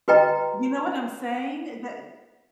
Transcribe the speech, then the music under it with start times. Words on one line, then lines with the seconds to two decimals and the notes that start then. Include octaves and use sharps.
You know what I'm saying? That
0.08 F#4 B4 D#5 G5 A#5